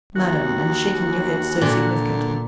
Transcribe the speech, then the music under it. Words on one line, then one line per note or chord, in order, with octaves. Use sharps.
Madam, and shaking your head so significantly?
D#2 F#4
A#2 D3